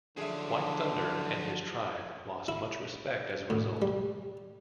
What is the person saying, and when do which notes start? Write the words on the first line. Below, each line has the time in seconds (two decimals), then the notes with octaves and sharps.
White Thunder and his tribe lost much respect as a result.
0.17 D3 F3 F#3 G#4 E5
2.48 E4
3.50 A2
3.82 G3